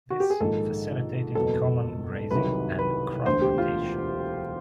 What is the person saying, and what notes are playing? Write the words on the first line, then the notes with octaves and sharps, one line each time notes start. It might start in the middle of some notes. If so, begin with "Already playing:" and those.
This facilitated common grazing and crop rotation.
F#4
G4
G#4
A#1 G#2 D#3 A4
F#1 E2 B2 A4
C2 C3 D#3 F#3 B4
B4
E1 D2 D3 C5
G4
F4